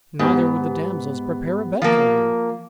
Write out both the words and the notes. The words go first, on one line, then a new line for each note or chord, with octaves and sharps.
Neither would the damsels prepare a bed for him.
G#2 G3 B3
F3 A#3